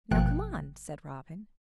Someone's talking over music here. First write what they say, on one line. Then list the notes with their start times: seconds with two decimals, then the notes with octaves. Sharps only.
"Now, come on," said Robin.
0.11 G#1 B2 F3 A#3 G5 F#6